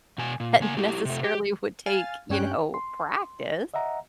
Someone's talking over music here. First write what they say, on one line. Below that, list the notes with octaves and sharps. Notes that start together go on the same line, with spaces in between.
that necessarily would take, you know, practice,
B2 G#5
A#2
C#3 A#3 G#5
F#3 E4 G4
C3 A3
G4
F5 G#5 F6 A6
G2 C#4 G5 F#6
C6
D#5 E5 F#5 A#5